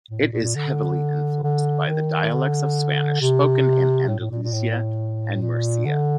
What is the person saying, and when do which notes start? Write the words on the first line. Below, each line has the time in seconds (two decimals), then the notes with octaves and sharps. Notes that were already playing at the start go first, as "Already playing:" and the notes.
It is heavily influenced by the dialects of Spanish spoken in Andalusia and Murcia.
0.11 A2
0.21 A#2
0.33 A#2
0.44 A#2
0.56 D3
1.44 D3
1.87 D#3
2.32 D3
3.20 C3
4.08 A2
4.19 A2
4.31 A#2
4.43 A#2
4.53 A2
5.42 A#2
5.85 D3